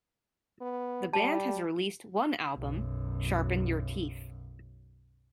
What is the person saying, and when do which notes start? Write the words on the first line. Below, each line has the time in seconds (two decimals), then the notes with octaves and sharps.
The band has released one album, "Sharpen Your Teeth".
0.61 B3
1.13 G3 A5
2.57 B1 F#2